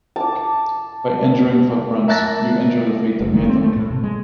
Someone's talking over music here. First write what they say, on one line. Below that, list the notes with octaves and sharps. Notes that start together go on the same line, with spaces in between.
By injuring footprints you injure the feet that made them.
A5 D6
A#4 E5 A5 F#6 A6 A#6
F#1
D#3
C4
A3
A2
C3
G#3